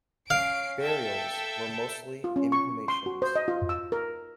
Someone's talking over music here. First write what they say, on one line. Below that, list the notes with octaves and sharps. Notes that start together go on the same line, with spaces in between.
Burials were mostly inhumations.
C#4 F5 C7 D7
A4 E5 G5
F4
C#4
C#6
C6
F#4
C5
D#5
F4
E6
A#4